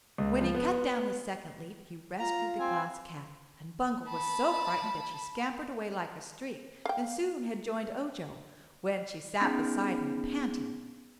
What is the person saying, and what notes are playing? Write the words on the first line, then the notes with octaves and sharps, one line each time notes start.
When he cut down the second leaf he rescued the Glass Cat, and Bungle was so frightened that she scampered away like a streak and soon had joined Ojo, when she sat beside him panting and trembling.
C#2
F3
B3
F4 A#5
C4 G#5
A5 B5
F5 G5
B3 C#4 D#4 G#4